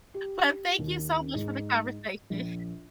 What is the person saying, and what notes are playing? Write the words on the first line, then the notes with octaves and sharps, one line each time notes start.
Well, thank you so much for the conversation.
G4
D#2
G#2
A#1